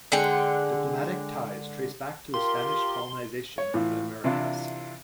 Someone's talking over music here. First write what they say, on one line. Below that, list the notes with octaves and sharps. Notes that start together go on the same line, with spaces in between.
Diplomatic ties trace back to the Spanish colonization of the Americas.
D3 G#3 F#5 G5
F4 G4 A#4 C6
C#5
A2 E3 F4
C3 E3 D4 E4 F4